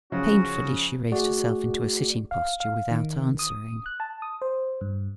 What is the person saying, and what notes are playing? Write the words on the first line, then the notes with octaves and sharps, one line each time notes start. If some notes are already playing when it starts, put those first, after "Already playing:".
Painfully she raised herself into a sitting posture without answering.
C#3 F3 C#4 F#4
A3 F#4 G#4 D5
F5
F5
D#3
D#6
F#6
A5
D#6
C5
G2